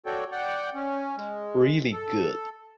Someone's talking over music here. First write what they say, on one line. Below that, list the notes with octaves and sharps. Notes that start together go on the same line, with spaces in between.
Really good.
F#4 A4 C#5 D5 G5
D5 F#5 G5
C#4
G#3
A4